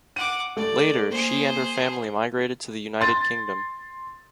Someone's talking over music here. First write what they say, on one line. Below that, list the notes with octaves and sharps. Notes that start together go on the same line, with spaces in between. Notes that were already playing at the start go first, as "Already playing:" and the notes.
Later she and her family migrated to the United Kingdom.
F#5 D6 D#7
A3 D5
A#3 G#4 C5
C6 A6